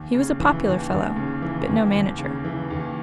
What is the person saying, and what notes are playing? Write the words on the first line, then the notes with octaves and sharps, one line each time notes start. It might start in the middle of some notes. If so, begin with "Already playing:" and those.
He was a popular fellow, but no manager.
Already playing: D#2
C#3
E3
D#2
D#2
C#3
E3
D#2
D#2
C#3
E3
D#2